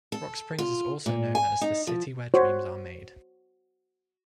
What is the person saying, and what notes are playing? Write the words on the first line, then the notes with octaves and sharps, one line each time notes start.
Rock Springs is also known as the "City Where Dreams are Made".
A4
F4
A#2
G#5
D#4
F3
F#4 C5 C#5